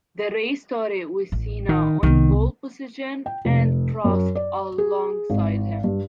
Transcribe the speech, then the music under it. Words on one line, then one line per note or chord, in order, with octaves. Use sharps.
The race started with Senna on pole position and Prost alongside him.
A1
D#3
C2 D#3 B3
G5
F1
F#2
D5
G#4
G#1
G2